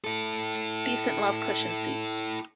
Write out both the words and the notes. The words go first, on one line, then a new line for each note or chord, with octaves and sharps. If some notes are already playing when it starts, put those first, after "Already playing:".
Decent love cushion seats.
E4 A4